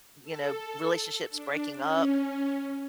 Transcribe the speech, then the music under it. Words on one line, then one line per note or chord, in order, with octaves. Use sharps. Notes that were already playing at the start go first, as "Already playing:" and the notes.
you know, relationships breaking up
A4
D4
C#4